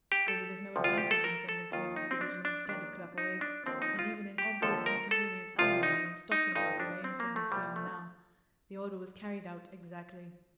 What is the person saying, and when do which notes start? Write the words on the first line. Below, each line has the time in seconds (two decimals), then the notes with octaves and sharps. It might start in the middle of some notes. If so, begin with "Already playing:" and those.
Though there was no advantage in sending Friant's division instead of Claparede's, and even an obvious inconvenience and delay in stopping Claparede and sending Friant now, the order was carried out exactly.
0.12 G4
0.28 A4
0.76 D2 C3 F3
0.84 F4
0.98 G4
1.11 A4
1.24 A#4
1.49 A4
1.72 D#2 D#3 F4
1.96 D#4
2.11 C4
2.21 D4
2.45 D4
2.69 D#2 D#3 D4
3.18 D#4
3.41 D4
3.66 D#2 D3 F3 C4
3.82 D#4
3.99 F4
4.38 G4
4.62 D#2 D3 F3 A4
4.86 A#4
5.11 A4
5.59 C2 C3 F3 F4
5.83 D#4
6.32 D#4
6.55 G1 G2 F3 D#4
6.80 D4
7.04 C4
7.20 A#3
7.36 A3
7.52 C2 A#2 F3 G3
7.76 A3